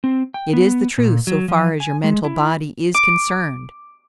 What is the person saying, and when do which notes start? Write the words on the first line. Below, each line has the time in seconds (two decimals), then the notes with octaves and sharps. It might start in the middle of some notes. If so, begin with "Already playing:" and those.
It is the truth so far as your mental body is concerned.
0.04 C4
0.34 G5
0.53 B3
0.98 A#2
1.27 F#3
1.48 F3
1.80 G#5
2.04 G#3
2.24 E4
2.94 D6